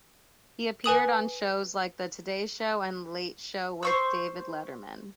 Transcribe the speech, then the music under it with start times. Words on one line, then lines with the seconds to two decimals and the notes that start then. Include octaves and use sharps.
He appeared on shows like "The Today Show" and "Late Show with David Letterman".
0.84 B4 G#5 D#6 F#7
3.83 C5 C#6 E6